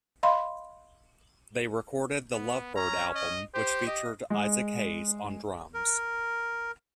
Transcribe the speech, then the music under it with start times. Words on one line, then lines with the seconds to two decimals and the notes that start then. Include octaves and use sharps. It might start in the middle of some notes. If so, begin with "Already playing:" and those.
They recorded the "Love Byrd" album, which featured Isaac Hayes on drums.
0.23 D#5 F5 B5 C6
2.33 B3
2.76 C#4 A#5
3.15 D#5
3.55 G4 C5
3.87 D#5
4.30 G#3
5.74 A#4